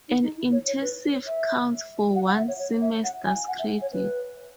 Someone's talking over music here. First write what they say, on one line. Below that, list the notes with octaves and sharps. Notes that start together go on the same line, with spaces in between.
An intensive counts for one semester's credit.
D#4
D#4
E4
C#5
C#5
B4
C#5
E5
F#5
F#5
E5
C#5
C#5
E5
F#5
G#5
F#5
E5
C#5
B4